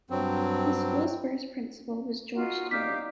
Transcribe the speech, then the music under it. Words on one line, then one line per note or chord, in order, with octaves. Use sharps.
The school's first principal was George Terry.
G2 F#3 C4
D#4 F4 F#4
D#4 G4 D5 F5 D6 F6 B6